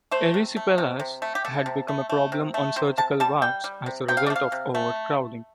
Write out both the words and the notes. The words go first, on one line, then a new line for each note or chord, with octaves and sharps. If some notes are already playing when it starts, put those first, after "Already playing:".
Erysipelas had become a problem on surgical wards as a result of overcrowding.
A3 C5
C3
A3
C3
C3
A3
G4
A3 A4
C3
A3
A3
C3
A3
C3 C5
C3 A5
G3 A5
G3 G5
G3
C3
C3 G5
F5
D5
A3
F5
C3
A3